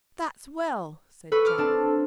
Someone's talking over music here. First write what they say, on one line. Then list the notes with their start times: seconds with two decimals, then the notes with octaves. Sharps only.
"That's well," said Jack.
1.32 A4 B4 C#6
1.45 D6 F6
1.58 C4 D4 A5